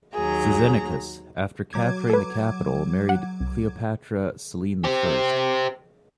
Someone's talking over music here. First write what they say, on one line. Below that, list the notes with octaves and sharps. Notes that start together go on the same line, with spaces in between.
Cyzicenus, after capturing the capital, married Cleopatra Selene the First.
D#2 F#3 G#4 A#5
F#3 D6 G#6
A4 B4
F#5
C2
G4 C5